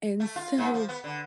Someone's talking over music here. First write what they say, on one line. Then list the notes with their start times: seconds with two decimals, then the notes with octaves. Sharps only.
And so
0.20 A3
0.36 F4
0.58 G#2
0.74 F3
0.89 B3
1.04 D3